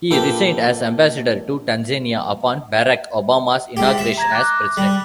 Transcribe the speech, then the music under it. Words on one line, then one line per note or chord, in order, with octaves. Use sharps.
He resigned as ambassador to Tanzania upon Barack Obama's inauguration as president.
A#2 A4 B4 G5 D6
G#2 G4
E5
A#5 G#6 A#6
D6 F#6
G3